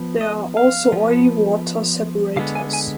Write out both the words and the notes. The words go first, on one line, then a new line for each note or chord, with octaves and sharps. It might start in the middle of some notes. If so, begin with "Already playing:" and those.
There are also oily water separators.
Already playing: F3 B3
D#5
F5
F3 B3
D3 G#3 B3 F5
G#5
G#5